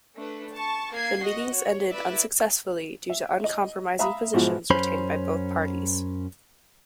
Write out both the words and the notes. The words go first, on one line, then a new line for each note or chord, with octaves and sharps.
The meetings ended unsuccessfully due to uncompromising positions retained by both parties.
A3 D4 B4
A5 C#6
A#3 G#6 C7
F#4 D#5
C#5
E4 B4 D5 E5
E5
D#5
E5 F5 A#5 B5 D#6
G#2 B2 F3 E4 F#4
F#2 C#4 C5 B5